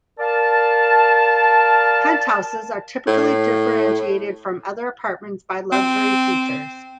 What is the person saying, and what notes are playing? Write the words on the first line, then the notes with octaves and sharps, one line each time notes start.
Penthouses are typically differentiated from other apartments by luxury features.
A#4 D5 F5 A5
A2
C4